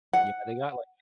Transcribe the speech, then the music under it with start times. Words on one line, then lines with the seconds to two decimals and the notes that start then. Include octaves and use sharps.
Yeah, they got, like,
0.13 F#5